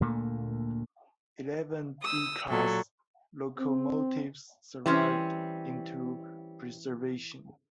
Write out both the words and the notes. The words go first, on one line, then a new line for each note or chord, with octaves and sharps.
Eleven D class locomotives survived into preservation.
D2 A#2 A3 A#3
D#6 E6
A#2 F#3 A4
C4
E3 G3 C4 C#4